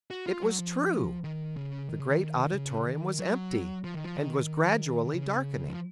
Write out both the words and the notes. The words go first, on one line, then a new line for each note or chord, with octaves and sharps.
It was true--the great auditorium was empty, and was gradually darkening.
F#4
F4
F#3
F3
D#3
C#3
D#3
C#3
D#3
C#3
D#3
F#3
F3
D#3
F3
D#3
D#3
C#3
F3